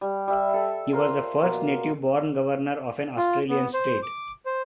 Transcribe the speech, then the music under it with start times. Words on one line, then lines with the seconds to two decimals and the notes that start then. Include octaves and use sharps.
He was the first native-born governor of an Australian state.
0.01 G3
0.28 G3 E5
0.54 A4
0.93 F4 A#4 C5
1.42 B2 A#3
3.17 F4
3.49 B3
3.74 C5
4.03 D6
4.46 C5